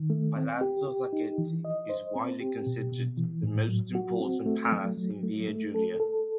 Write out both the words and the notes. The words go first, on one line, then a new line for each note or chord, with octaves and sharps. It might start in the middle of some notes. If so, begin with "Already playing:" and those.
Palazzo Sacchetti is widely considered the most important palace in Via Giulia.
Already playing: D#3
A3
C4
G4
G4
D#4
E3
D#5
C5
C4
G4
B2
B2
E3
A2
F#3
F#4
C4
A3
F#3
F#3
A3
A3
A4
A4